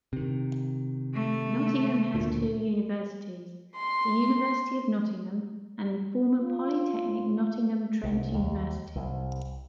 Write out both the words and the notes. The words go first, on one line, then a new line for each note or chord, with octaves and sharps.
Nottingham has two universities, the University of Nottingham and the former polytechnic Nottingham Trent University.
C3 D#3
A3
D2 A#2
C6
F4
C2
D#2
C2